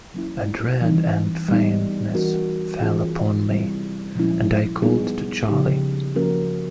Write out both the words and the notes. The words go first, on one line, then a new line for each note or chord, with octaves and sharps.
A dread and faintness fell upon me, and I called to Charley.
F#3 A#3 C#4 E4
E3 G3 C4 D#4
G3 B3 D#4
E3 A3 C#4 F#4 A#4
E3 A3 C#4 F4 G#4
C3 E3 G3 C4 E4
A#2 F3 G#3 C#4 E4
G3 B3 D#4 G#4
C#3 F3 A#3 D#4 G4
F3 A#3 C#4 F#4 A#4